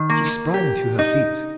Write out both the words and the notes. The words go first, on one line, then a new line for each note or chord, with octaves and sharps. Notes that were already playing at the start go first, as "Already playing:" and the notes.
She sprang to her feet.
Already playing: D#3
A#3
G4
D#4